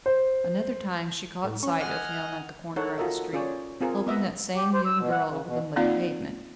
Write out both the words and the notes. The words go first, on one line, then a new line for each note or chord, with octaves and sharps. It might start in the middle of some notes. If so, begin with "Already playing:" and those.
Another time she caught sight of him at the corner of the street, helping that same young girl over the muddy pavement.
C5
A2
C#4
D#5 F#5 G#5 F6
D#4 A4 A#4 C#5 F#5
F4 F#4 A4 A#4 D#5 E5
C#4 F4 G#4 C#5 D5
C4 F4 G#4 A#4
B3 D#5 E5 F#5
G4
C5
E6
B2
F#5
C#3
B2
A#3 C4 D#4 F4 D5 F5